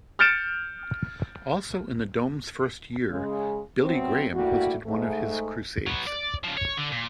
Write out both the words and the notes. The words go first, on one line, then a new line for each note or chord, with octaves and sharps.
Also in the Dome's first year, Billy Graham hosted one of his crusades.
F6 G6 A6 C#7 D7 E7
C#3 G#3
C3 F#3 B3 C4
G3 A3 A#3 E4 F#4
G#2 A3
F#3 B3
D5
C#3 F3
C#5
D3
A#2